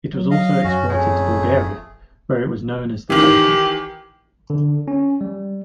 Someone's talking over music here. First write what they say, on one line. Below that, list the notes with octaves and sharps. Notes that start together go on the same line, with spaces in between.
It was also exported to Bulgaria, where it was known as the "Pelikan".
F#3
D#5 F5
F#2 C#4 F#4
F2 A3 G#4 C#5 G#5
D#3 E3 G4
D3
C#4
G3